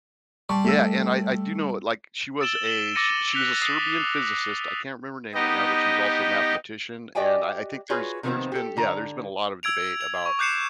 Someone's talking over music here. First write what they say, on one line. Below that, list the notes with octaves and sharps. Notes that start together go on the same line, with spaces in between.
Yeah, and I I do know, i like, she was a sh she was a Serbian physicist, I can't remember her name right now, but she was also a mathematician, and I I think there's there's been yeah, there's been a lot of debate about
G3 A5 C6 C#6
A3 E6
E6 A6 D7 E7 F#7 G7
A6 E7 F#7 G7
D6 E6 A6 A#6 C#7 D#7
F#6 B6 C#7 F7 G7
D#6 C7
B3 D#4 G4 D#5
F#4 G4 D5 D#5 G5 G#5
F4 F#4 G#4 B4 C#5
C3 D#3 F3 A3 B3 C4
G4 A4
D3 A#5
E6 G#6 D7 F7
F7
C#6
D6 F#6 G6 C7 C#7 E7